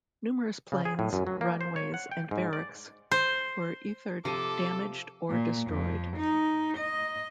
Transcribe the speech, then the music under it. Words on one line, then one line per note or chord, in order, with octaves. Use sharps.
Numerous planes, runways and barracks were ether damaged or destroyed.
C#3
G#4
A2
F#2
F#3
A#3
C5
C#5
F#5
G5
G#2
D5
C5
C3 F3 A4 D6 D#7
A#2
F2
D#4
D#5